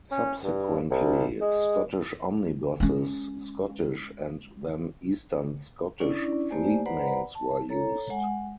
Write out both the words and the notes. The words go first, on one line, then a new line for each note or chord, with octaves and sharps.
Subsequently, "Scottish Omnibuses", "Scottish", and then "Eastern Scottish" fleetnames were used.
C#4
G2
C2
G#3
G#3 C#4
C#4 D4 E4 D5
A3 A#3 G4 C5 D5 G#5
B4 C5 D5 F#5 A#5 B5
A5
A4 C#5 A#5
G#3 F#5 G#5